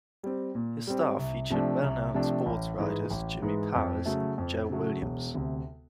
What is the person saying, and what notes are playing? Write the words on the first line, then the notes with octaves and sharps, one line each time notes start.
His staff featured well-known sportswriters Jimmy Powers and Joe Williams.
G3 C4
A#2
G3 C4
C2
C3 F3 A3 D4
C2
C3 F3 A3 D4
A1
G#2 E3 G#3
A1
G#2 E3 G#3
F2
C#3 F#3 A3
F2
C#3 F#3 A3
E1
D2 C3